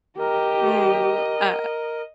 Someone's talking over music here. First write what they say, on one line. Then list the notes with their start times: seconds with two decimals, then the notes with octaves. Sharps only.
Ooh, uh,
0.19 G4 A#4 D#5